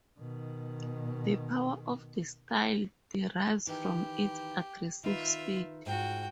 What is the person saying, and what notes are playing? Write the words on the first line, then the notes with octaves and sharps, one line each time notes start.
The power of the style derives from its aggressive speed.
B2 D#3
D#3 E3 G4
D#3 F4 B4 E5
G#2 F4 F#4 G5